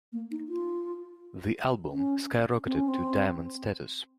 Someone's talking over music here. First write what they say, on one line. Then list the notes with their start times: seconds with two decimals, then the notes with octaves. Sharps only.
The album skyrocketed to Diamond status.
0.13 A#3
0.31 D#4
0.49 F4
1.93 C#4
2.66 C4
2.76 C#4
2.88 C4